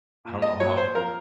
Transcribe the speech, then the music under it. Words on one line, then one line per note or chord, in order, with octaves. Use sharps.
I don't know how I"
A#2
D#5
F#3 C#5
C5
F2 A#4